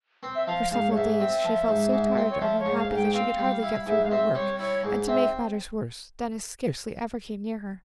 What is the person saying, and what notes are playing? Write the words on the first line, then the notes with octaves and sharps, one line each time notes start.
For several days she felt so tired and unhappy that she could hardly get through her work, and to make matters worse Denis scarcely ever came near her.
C4
E5
F3 F5
G#2 F5
C#5
G#2 E5
C4
F3
G#2
G#2
C4
C#5
F3 E5
C#5
G#2
F5
G#2 F5
G5
C4 F5
G3
E4
G#2 E5
F5
C4 E5
G3 C#5
E4 C#5
G#2
C4 E5